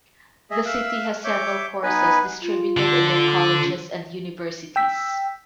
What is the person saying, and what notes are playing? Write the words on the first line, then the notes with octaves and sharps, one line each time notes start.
The city has several courses distributed in their colleges and universities.
G#4 D#5 E5
E5 F5 E6 F#6
C#5 E5 D6 G6
B3 D#4 B4 G#5
F4
D3 A4
G5 E6 B6